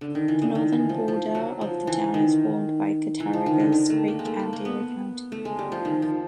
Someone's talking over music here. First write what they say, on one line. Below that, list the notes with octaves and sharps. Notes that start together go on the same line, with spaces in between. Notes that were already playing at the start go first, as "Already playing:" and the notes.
The northern border of the town is formed by Cattaraugus Creek and Erie County.
D3
D#3
E3
D3
D#3
E3
F3
F3
F#3
F3
E3
D#3
E3
F3
D#3
D3
D#3
A3
A#3
G#3
A3
A#3
A#3
B3
A3
G#3
G3
F3
D#3
F3